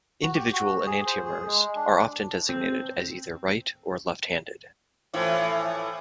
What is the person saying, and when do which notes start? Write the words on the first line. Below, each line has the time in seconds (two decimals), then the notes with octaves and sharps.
Individual enantiomers are often designated as either "right-" or "left-handed".
0.23 F#4
0.35 G4
0.53 F#4
0.86 G#4
1.06 C5
1.25 G#4
1.47 G#3
1.76 D4
2.49 C4
5.14 A2 E3 F3